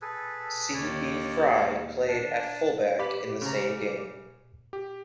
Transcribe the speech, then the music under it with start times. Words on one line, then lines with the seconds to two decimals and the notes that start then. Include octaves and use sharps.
C. B. Fry played at full-back in the same game.
0.02 G#4 A4 B4
0.74 D#2 C#5 D5
2.08 D4 A5
2.99 G4 B4 B5
3.42 C#3 A#5
4.73 G4